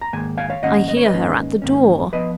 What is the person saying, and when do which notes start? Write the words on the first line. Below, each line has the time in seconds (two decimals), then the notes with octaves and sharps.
'I hear her at the door!'
0.01 A#5
0.13 G#2 D#3 A#3 G#5
0.37 F5 G#5
0.50 C#5 F5
0.62 G#2 D#3 A#3 C#4 D#5 F#5
0.88 D#5
0.97 C#5
1.05 B4 D#5
1.12 G#2 D#3 A#3 C#4
1.62 G#2 D#3 A#3 C#4
2.13 F3 B3 B4 D#5